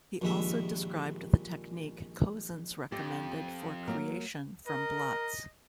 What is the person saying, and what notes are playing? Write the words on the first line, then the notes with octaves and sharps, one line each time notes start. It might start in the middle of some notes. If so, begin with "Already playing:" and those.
He also described the technique Cozens recommended for creation from blots.
A#1 D#2 G#3 E5
F2 G4
F#3 A#3 A#4
A#4 D#5